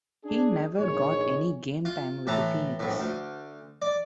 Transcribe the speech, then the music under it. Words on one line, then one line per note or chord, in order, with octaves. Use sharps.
He never got any game time with the Phoenix.
D4 G#4
A#1 D#2 G#2 G#4 C#5
F4
A2 E3 A5 A#5
A#1 A2
D2
D5